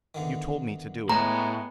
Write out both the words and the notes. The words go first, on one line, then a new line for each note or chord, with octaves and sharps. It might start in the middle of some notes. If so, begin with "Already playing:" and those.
"You told me to do it."
E2 D3 D#3
A2 G#3 B3 A#5